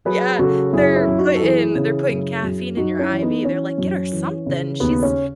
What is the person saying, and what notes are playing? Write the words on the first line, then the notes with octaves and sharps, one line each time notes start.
Yeah, they're putting they're putting caffeine in your IV, they're like, "Get her something, she's
F#3 G#4 B4
C#3 F#4 A4
F#2 E4 G#4
C#4 E4
F#2
D#4 F#4
A4
E3 E4 G#4
C#3
F#2
F#2
F#2 D#4 F#4
C#4 E4
E3
B3 D#4
E3 C#4
F#2
E3
C#3
D#2 B3
C#4